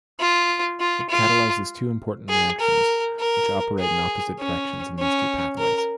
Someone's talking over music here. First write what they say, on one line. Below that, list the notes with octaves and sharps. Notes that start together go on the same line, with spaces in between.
It catalyzes two important reactions, which operate in opposite directions in these two pathways.
F4
F4
F4
G#4
A#4
A#4
G#4
C#4
C#4
A#4